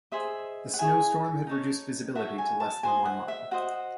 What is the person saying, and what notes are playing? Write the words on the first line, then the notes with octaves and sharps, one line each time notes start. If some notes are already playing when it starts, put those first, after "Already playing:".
The snowstorm had reduced visibility to less than one mile.
G#4 C5 D#5 E5
F#5
E4 G#4 C#5 G#5
D#4 A4 C#5
F#4 A4 C#5 E5
G#5
A5
F#4 C5 D#5 G#5
F#5
E5
F#4 C5 D#5 F#5